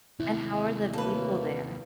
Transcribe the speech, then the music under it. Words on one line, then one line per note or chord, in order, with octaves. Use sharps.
And how are the people there?
D#2 C3 E4
F#3 A3 A#3 A4 B4